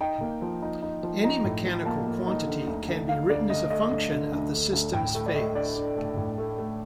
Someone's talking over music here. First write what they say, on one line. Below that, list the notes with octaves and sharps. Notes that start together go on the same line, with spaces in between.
Any mechanical quantity can be written as a function of the system's phase.
D#4 G5
A#3
F3
D#4
D#4
F3
D#4 A#5
A2
F3
A#3 A5
A#3
D#4
D3
D2
D2
D3 F5
D2 D5
D2 D#5
A3 D#5
D2
D3
D2
D3
D2
A2 G5
A3
D5
A3 D#5
D4 D5
D4
A3
A2
A3
A3